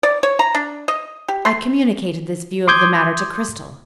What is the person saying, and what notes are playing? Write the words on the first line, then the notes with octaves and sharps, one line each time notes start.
I communicated this view of the matter to Cristel.
D5
C#5
A#5
D4
D#5
G4
C6
C6 D6 D#6 G6 G#6